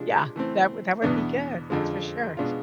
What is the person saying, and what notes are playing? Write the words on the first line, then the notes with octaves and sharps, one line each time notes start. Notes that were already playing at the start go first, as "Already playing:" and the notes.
Yeah. That would that would be good. That's for sure.
Already playing: C3 F3 G#3 D4
E3 A3 C4
E2 B2 B3 D4
F2 D3 F3 G#3
B2 G#3 D4 F4